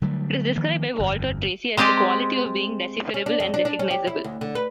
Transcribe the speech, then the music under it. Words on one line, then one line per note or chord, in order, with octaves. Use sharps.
It is described by Walter Tracy as "the quality of being decipherable and recognisable".
D3 F#3 G3 A3
D#3 F3 A#3
G1 F2
G#3 C4 G4 D5 D#5
C#4
D4
F2
D4
D4
C#4
G4
E4
D2
D3
B4